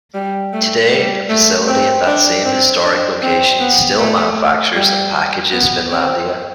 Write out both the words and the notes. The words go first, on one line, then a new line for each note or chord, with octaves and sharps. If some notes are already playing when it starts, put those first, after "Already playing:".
Today, a facility at that same historic location still manufactures and packages Finlandia.
G3
A3
G3
A3
C4
D4
C4
D4
C4
B3
A3
G3
B3
C4